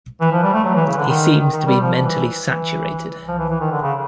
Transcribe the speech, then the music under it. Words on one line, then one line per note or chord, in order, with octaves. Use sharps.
He seems to be mentally saturated.
E3
F3
G3
A3
F#3
E3
C#3
D3
D#3
D#3
G3
F3
E3
E3
F3
E3
E3
D#3
D3
C#3